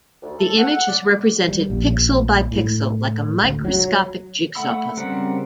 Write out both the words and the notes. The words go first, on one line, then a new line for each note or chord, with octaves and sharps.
The image is represented pixel by pixel, like a microscopic jigsaw puzzle.
D2
A4
F#5
F#5
D5
G3
A#1
A2
D2
F#3
A3 F#5 B5 E6
C#3 G3 C4 A#4 F#5